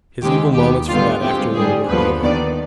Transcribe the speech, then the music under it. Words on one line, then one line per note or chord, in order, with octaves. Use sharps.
His evil moments for that afternoon were over.
D#2 D#3 G#3 C4 G4
D#2 D#3 B3 G4
G1 G2 D3 G3 B3 F4
G2 F3 G#3 C4 G4
G1 G2 D3 G3 G#4
D#2 D3 F3 B3 B4
D#2 D#3 B3 D5